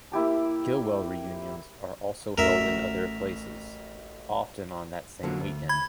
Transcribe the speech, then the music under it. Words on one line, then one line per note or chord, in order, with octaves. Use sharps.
Gilwell Reunions are also held in other places, often on that same weekend.
A#3 E4 G4 A5
A1 A3 F#4 A#4 E5
D3 F#3 A#3
D2
B5 G#6